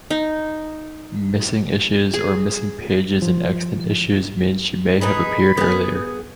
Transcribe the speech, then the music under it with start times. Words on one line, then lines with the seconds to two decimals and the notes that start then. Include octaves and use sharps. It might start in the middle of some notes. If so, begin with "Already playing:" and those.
Missing issues or missing pages in extant issues mean she may have appeared earlier.
0.10 D#4
2.14 G#4
3.22 F3
5.01 B3 D#4 G#4 B5
5.57 B3 G#4